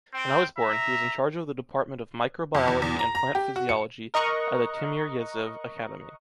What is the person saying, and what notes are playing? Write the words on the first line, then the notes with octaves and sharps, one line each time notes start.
When I was born, he was in charge of the Department of Microbiology and Plant Physiology at the Timiryazev Academy.
C4 G5
E5 A#5
F2
E2
E2
A#5
A#5
G4
F#4
C#7
A#4 D#5 A#5 C#6 F#6